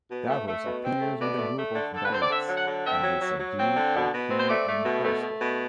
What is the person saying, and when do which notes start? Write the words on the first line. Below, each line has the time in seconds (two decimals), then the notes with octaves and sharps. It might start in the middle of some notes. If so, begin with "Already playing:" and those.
Davros appears with a group of Daleks, and they subdue Orcini and Bostock.
0.11 B2
0.29 A3
0.48 A3
0.66 B2
0.84 C4
1.02 A3
1.21 B2 D5
1.39 A3
1.57 A3
1.75 D3
1.94 D3 A4
2.04 B4
2.13 C4 C5
2.22 D5
2.30 D3 E5
2.48 F#3
2.57 F#5
2.67 D3
2.85 C4 E5
3.04 F#3
3.22 F#3
3.40 F#3
3.58 C4
3.77 D3
3.94 B2
4.13 B2
4.31 C4
4.38 C5
4.50 A3 D5
4.68 A3
4.86 B2
5.04 A3
5.23 A3
5.41 B2